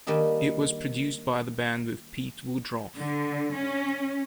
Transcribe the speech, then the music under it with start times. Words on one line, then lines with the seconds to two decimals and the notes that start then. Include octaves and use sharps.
It was produced by the band with Pete Woodroffe.
0.07 D#3 G3 A#3 D4 D#4
2.96 D3
3.53 C#4